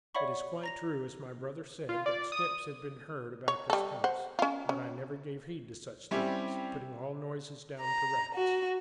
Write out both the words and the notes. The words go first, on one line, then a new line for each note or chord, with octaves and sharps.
It is quite true, as my brother said, that steps have been heard about this house, but I never gave heed to such things, putting all noises down to rats.
C#5 D5 E5 F#5 B5 C#6
A#5 A#6 F7
F4
D5
D#6
C#5
G3 A4
C5 F#5
C#4 F4
C#4
G3 C4 C#4 E4 G4
A#5
F#4